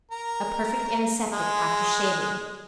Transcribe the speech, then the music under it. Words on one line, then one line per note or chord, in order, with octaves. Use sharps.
A perfect antiseptic after shaving.
A#4
G#3